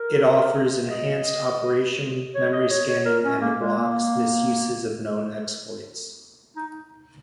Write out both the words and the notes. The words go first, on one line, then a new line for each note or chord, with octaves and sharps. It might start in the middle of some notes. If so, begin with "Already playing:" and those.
It offers enhanced operation memory scanning and blocks misuses of known exploits.
Already playing: A#4
D#5
C#5
D#5
C#5
C#5
A#4
C#4
A#3
G#3
A#3
D#4